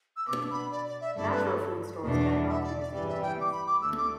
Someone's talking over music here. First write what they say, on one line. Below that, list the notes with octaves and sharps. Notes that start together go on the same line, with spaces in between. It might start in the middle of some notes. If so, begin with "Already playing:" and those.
Natural food stores tend not to use these additions.
E6
B2 B3 D4 D6
B5
D5
D5
E5
G2 D3 A3 E4 D5
B4
E2 B2 A3 D4
E5
D5
D5
G2 E3 G3 D5
E5
G5
D6
B5
D6
D2 D3 A3 E6
D6